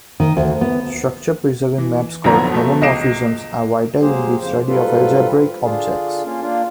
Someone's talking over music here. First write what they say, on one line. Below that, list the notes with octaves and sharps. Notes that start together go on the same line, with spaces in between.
Structure preserving maps called "homomorphisms" are vital in the study of algebraic objects.
D#3
D2
B3
E3
B1 F2 D3 F3 B3 A#5
B2 F3 A3
C#2 D#5 D6 C7 D7 E7
F#3 G#3 A#3 G4 G#4 C5
F2 C#3 F3 C5
G#2 F#3 G3 F4 A4 B4
D3 D4 F4 G#4
A#3 C#4 F4
A#3 D4 F4